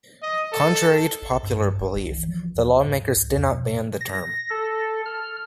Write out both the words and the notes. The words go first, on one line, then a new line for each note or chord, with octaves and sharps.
Contrary to popular belief, the lawmakers did not ban the term.
D#5
A4
B1
G2
E1
C2
E3
F3
D#2
G#2
C2
F2
B2
A#6
A4
F6